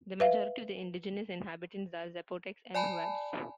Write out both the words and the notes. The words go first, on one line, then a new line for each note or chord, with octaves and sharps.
The majority of the indigenous inhabitants are Zapotecs and Huaves.
B4 E5 F5
D5 G#5 A5 B5